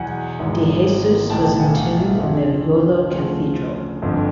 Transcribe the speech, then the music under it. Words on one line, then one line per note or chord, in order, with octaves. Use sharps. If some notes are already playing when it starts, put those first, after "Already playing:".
De Jesus was entombed in the Jolo Cathedral.
Already playing: E2 B2 F#3 F#5 G#5
G#1 G#2 E3
B1 A2 E3 G5 A5
G5 A5
F#5 G#5
F5 G5
E5 F#5
F1 F2 D3 F3
D2 C#3 F3
G1 F2 D3 F3